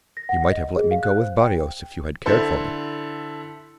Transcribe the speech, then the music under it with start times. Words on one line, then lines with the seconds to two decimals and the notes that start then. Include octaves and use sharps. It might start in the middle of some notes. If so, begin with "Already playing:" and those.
You might have let me go with Barrios if you had cared for me.
0.17 A#6
0.29 F#5
0.51 D#5
0.77 G#4
0.91 F5
1.03 F#6
1.18 C5
1.41 G5
2.26 D3 E4 A4 C5